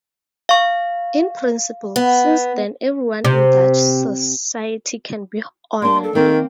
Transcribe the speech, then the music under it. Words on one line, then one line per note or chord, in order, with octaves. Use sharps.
In principle, since then everyone in Dutch society can be honoured.
F5 C#6
B3
C3
A#3 D4 C6
A4
D#3 A#3 C4